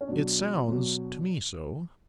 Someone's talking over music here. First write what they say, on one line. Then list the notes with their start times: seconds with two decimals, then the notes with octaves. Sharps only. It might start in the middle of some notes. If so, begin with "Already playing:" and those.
'It sounds to me so.
0.01 C#4
0.08 B2 F#3 D4
0.68 B2 F#3